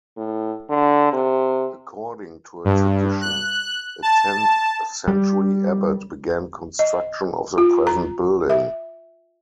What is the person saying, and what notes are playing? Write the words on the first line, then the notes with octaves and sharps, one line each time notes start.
According to a tradition, a tenth-century abbot began construction of the present building.
A2
D3
C3
G2
F#6
A5
G3
D#5
F4
A#5
E5